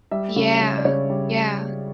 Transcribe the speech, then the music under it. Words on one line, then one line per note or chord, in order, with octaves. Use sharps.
Yeah, yeah.
G3 E5
C#3
C#3
D5
C#3 C#5
G3